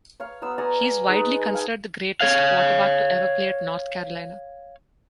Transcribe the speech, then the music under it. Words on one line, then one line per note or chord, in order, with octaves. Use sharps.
He is widely considered the greatest quarterback to ever play at North Carolina.
C#5 F5 C#6
F#3 B3 C6 E6
D5 G#5 A#5 C#6
G#5 D6
G#3 D#4 G#4 B4
A4 F5 G5 G#5
C#5 F5